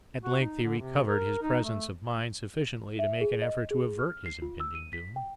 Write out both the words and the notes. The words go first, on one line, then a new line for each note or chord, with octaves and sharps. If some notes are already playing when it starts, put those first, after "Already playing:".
At length he recovered his presence of mind sufficiently to make an effort to avert his impending doom.
F#4
D#4
D3
C3
A#4
D#4
A3
E5
G#4
D#5
G#4
F6
C7
F4
E6
D#7
B6
G5